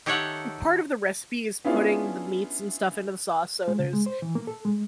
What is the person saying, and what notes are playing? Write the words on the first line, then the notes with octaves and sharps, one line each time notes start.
part of the recipe is putting the meats and stuff into the sauce, so there's,
D#3 G4 A4 C#5 E5 F#5
B3 C#4 D4 E4 F4 G#4
G#3
C#3
G#3
C5
E3
A#3
A4
G#3